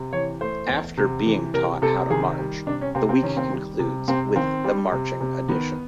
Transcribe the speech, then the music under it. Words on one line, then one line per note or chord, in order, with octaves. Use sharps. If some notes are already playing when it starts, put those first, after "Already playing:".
After being taught how to march, the week concludes with the marching audition.
Already playing: C3
E3 C#5
A3 C5
E2
C3
E3
C3 A#4
C3 A4
D#3 G#4
G3
C3 D4
C#4
C3 C4
C4
D#3 C#4
C4
G3
C3
C3 C4
D#3 C4
G3
C3
C3
D#3 B3